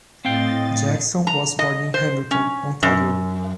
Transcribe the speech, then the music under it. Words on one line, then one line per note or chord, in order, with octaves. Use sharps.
Jackson was born in Hamilton, Ontario.
A2 C4 D#5 F5 G5 A6
A#5
D#5
C5
C#4
F#2